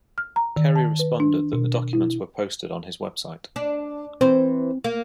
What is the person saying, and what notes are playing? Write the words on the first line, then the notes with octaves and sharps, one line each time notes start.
Kerry responded that the documents were posted on his website.
F6
A#5
D#3
A5
B4
D4
B2
E4
D4
E3 C4 C5
A#3